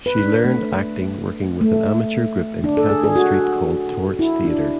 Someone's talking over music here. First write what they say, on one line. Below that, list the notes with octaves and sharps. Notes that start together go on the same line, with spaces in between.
She learned acting working with an amateur group in Capel Street called Torch Theatre.
B4
D4
A3
A3
D4
A4
G#4
G#4
F#4
E4
D4